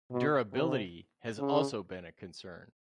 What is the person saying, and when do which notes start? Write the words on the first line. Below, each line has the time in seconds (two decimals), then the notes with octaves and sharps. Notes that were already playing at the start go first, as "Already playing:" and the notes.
Durability has also been a concern.
0.11 B2
0.53 C3
1.39 C#3